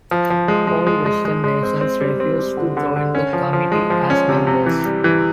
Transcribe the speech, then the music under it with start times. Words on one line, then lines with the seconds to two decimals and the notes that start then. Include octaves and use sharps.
All Western nations refused to join the committee as members.
0.11 F3
0.30 F3
0.48 G#3
0.67 G#3
0.87 G#3
1.06 G#3
1.25 G#3
1.44 G#3
1.63 C4
1.81 C4
2.00 G3
2.20 C4
2.39 G3
2.57 D3
2.77 D3
2.96 D3
3.15 C#4
3.33 F3
3.53 F3
3.72 G#3
3.90 F3
4.10 C#4
4.29 C3
4.47 C3
4.66 E3
4.85 G3
5.04 E3